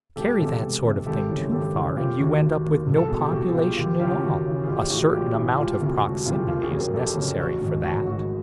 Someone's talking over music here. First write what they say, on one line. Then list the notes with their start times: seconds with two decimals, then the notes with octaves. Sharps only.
"Carry that sort of thing too far and you end up with no population at all. A certain amount of proximity is necessary for that."
0.16 E1 G4 A4
0.38 E2 C3 G4 A4
0.61 E1
0.83 E2 C3
1.06 G#1 G4 A4
1.29 F#2 C#3 E3
1.52 G#1 G4 A4
1.75 F#2 C#3 E3
1.97 F1 F4 G4
2.19 D#2 D#3 F#4
2.42 F1
2.64 D#2 D#3
2.87 C2
2.96 A4
3.09 B2 G#4
3.20 G4
3.32 C2 F#4
3.48 G#4
3.54 B2 F4 G4
3.77 D#2 F4 G4
4.00 C#3 E3 F4 G4
4.22 D#2 F#4
4.45 C#3 E3
4.64 G#4
4.67 A1 F4 G4
4.90 A2 E3 F#4 G#4
5.12 A1 F4 G4
5.35 A2 E3
5.58 E1 F4 G4
5.80 D2 C3 E3 F#4
6.03 E1 F#4
6.26 D2 C3 E3 F4 G4
6.48 F#1 F4 G4
6.63 F#4 G#4
6.71 F2 C#3
6.78 G#4 A#4
6.94 F#1 G4 A4
7.16 F2 C#3
7.39 A1 F#4
7.61 G#2 D#3
7.83 A1 F#4
8.06 G#2 D#3 F#4